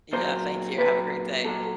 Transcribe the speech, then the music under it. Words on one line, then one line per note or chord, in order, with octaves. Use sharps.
Yeah, thank you, have a great day.
A#2 F#3 C5
A#2 F#3 B4
A#2 F#3 A4